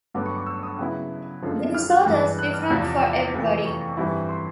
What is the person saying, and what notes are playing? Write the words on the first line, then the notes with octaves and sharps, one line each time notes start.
The disorder's different for everybody.
G2 D3 F#3 B3 D6
C#6
D6
E6
D#6
C#3 F#3 B3 E4
F#2 D3 F3 G#3
F6
F#6
G2 E3 G#3
F#6
F6
E2 C3 F3 E6
D6
F2 C3 E3 A3
C#6
G2 E3 G3 C4 E4
C6